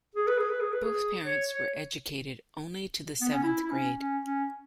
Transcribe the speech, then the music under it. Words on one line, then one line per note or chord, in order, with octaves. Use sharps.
Both parents were educated only to the seventh grade.
G#4
B4
G#4
B4
G#4
B4
G#4
C#5
C#5
B3
C#4
E4
E4
C#4
C#4
C#4